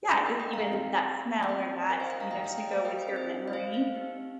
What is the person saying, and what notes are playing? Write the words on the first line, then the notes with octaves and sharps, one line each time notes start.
yeah, just, even that smell or that, you know, to go with your memory
A#4 D#5
D#5 G5
F5 A#5
C4 D#4 G4
C4 F4 D#5 G5
A#4 D#5
C5 F5
D#5 G5
F5 A#5
A#3 D#4 G4 D#5 G5
F5 A#5
D#5 G5
C5 F5
A#4 D#5
C5
D#5
C4 D#4 G4 C5
D#5
C5 F5
C5 F5
C4 D#4 G4